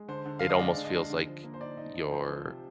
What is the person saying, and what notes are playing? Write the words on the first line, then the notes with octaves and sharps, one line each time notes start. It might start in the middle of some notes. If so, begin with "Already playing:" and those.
"it almost feels like you're
Already playing: G#3
D3 C5
D3
D3 F5
D#5
G#3 D5
D3
D#5
D4
D3
F3
A#3
C5
D#4 D5
D#4
D#4
F3 C5
F3
C3